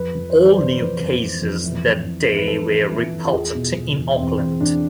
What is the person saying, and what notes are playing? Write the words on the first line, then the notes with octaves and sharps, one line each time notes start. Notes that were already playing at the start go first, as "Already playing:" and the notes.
All new cases that day were reported in Auckland.
Already playing: F2 B4
F2
C5
E3 B4
D5
E3 C5
F2 B4
F2
E3
F2
E3
E3
E3
E3
B4
E3 A4
E3
E3
E3
F4
E2 G#4
B2
B2
E2
E2 C4
E2
E2 D4